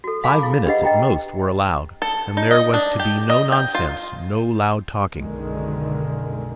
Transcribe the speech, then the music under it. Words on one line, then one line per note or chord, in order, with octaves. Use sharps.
Five minutes at most were allowed, and there was to be no nonsense, no loud talking.
F#4 A4
F5 G#5 A5 B5 D6
E4 G#4
D4 G4 B4 D#5 F#5
D#5 G5 A#5
A4
D#4
D#5
D4
G4
D#5
G5
F4
B1 F#2 D3 D#3 G#3